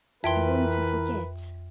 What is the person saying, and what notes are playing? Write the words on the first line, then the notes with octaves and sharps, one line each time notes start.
I want to forget.'
F2 E3 A#4 B4 E5 G5 C6